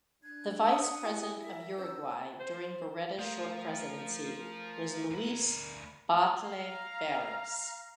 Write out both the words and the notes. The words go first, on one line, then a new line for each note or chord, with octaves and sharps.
The Vice President of Uruguay during Berreta's short Presidency was Luis Batlle Berres.
D4 F#6 G#6
C#5 D5 F#5 A5 D#6
E4 G4 D5 G#5
A#4 E5
C#4 D#4 C5 E6
C5
A3 F4 A#4 C5 F5
D2 B5
F5 A#5